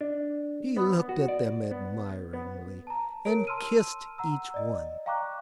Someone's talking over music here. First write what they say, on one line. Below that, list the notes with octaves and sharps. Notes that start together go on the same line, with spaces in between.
He looked at them admiringly, and kissed each one.
D4
B3
F#4
D5
B3
B3
A5 A#5
A#4 C#5 A#5 D7
A5 C6 E6 F6 D#7
F#5 A#5 E6
D5 D#5
F5 G5 A#5 C#6 D6 F#6